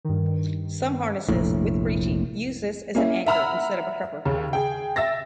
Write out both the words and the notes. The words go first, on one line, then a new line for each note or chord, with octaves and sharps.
Some harnesses with breeching use this as an anchor instead of a crupper.
G2 D#3
F1 A#1 A2
A#3 C#4 E4
E5 F#5 A#5 B5 E6 F6
D#2 C#3
G#4 G5
E5 E6 A6 A#6